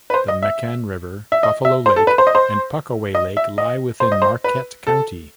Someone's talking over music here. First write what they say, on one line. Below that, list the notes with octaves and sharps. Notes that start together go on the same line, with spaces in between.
The Mecan River, Buffalo Lake, and Puckaway Lake lie within Marquette County.
B4
C5
D#5
E5
E5
D#5
E5
C5
A4
B4
C5
D#5
C5
D#5
E5
D#5
C5
D#5
C5
B4
A4